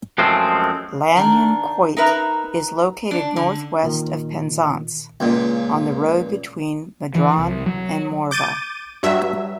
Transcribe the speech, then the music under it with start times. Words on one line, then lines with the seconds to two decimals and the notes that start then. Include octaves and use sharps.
Lanyon Quoit is located northwest of Penzance on the road between Madron and Morvah.
0.18 F#2 F3 G#3 A3 C4
1.16 D#3 D4
1.97 D#4 A#4 B4 E5
3.11 D4
3.36 D3
3.83 A#2 D#3
5.20 C#2 A#2
7.15 E3
7.38 C2
7.66 F#3
8.31 D6 G6 A6 D#7
9.03 G2 F#3 E5